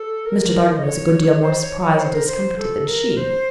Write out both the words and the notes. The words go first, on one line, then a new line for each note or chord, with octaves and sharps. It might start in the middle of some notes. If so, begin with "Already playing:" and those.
Mr. Thornton was a good deal more surprised and discomfited than she.
Already playing: A4
A#4
D#5
C#5
C5
C#5
C#5
C5
A#4
C5
A4
A#4
C5